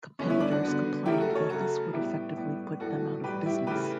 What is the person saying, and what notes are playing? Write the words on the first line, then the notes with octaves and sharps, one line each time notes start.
Competitors complained that this would effectively put them out of business.
D3 G3 B3 C#4
C#4 E4
D4
D4 F#4
D3 G3 B3
C#3 F#3 A3 E4 G4
F#4 A4
A4 C#5
C#3 F#3 A3 F#4 A4
A2 G3 B3 E4 G4
A2 G3 B3
A2 E3 G3 F#4 A4
A2 E3 G3 G4 B4
E4 G4
C#3 E3 A3 G4 B4